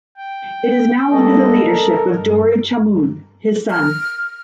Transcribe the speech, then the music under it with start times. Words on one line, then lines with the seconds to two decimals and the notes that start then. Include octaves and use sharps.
It is now under the leadership of Dory Chamoun, his son.
0.17 G5
1.11 G3 A#3 B3 D4 A4 D#5
1.64 A4 A#4
2.15 G2
3.71 F6